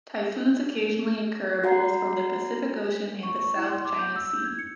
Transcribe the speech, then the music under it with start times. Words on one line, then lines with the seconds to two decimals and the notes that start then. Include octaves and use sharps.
Typhoons occasionally occur, both from the Pacific Ocean and the South China Sea.
1.64 F#4 F#5 A#5 C7
3.23 C#6
3.38 C#6
3.55 E4
3.69 C6
3.85 D6
3.98 G6
4.16 E6
4.34 G6
4.45 G#6
4.59 C#7